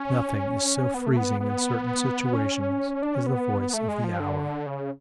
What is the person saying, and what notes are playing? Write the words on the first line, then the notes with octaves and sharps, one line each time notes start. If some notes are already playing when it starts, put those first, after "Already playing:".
Nothing is so freezing in certain situations as the voice of the hour.
Already playing: C#4
B3
A3
B3
B3
C#4
D4
C#4
B3
A3
G#3
F3
D3
C#3